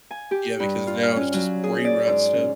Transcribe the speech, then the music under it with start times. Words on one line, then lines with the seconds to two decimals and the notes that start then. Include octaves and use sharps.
Yeah, because now it's just brain rot stuff.
0.11 G#5
0.31 G4
0.60 G2
0.87 F4
1.03 F6
1.16 C#4
1.34 F#3
1.64 G#4
1.85 D5
2.07 G#2
2.34 C#4